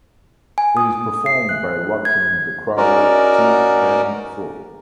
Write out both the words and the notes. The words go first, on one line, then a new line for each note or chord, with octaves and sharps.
It is performed by rocking the cradle to and fro.
G#5
D#6
C7
F#6
G#6
C#4 D#4 F#4 A#4 D5